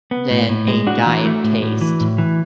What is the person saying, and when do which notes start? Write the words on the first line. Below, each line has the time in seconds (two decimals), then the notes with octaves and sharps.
than a diet taste.
0.11 B3
0.31 A2
0.49 A2
0.68 G#3
0.86 A2 D4 F#4
1.06 E3
1.25 A3
1.44 A2
1.62 A2
1.81 E3
2.00 A2
2.18 E3